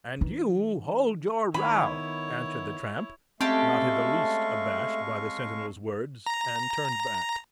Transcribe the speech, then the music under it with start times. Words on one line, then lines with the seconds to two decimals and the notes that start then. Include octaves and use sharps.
"And you hold your row," answered the tramp, not in the least abashed by the sentinel's words, and turned back.
0.21 E3 D#4
1.54 D#3 B3 E4 C#5 B5
3.41 G#3 A3 C4 C#4 G4 A4 F5 C#6
6.26 A#5